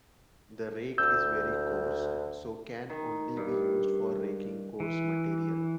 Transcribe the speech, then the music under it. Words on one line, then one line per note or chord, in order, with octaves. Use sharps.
The rake is very coarse, so can only be used for raking coarse material.
D2 E6 G6
D#3
G2
E3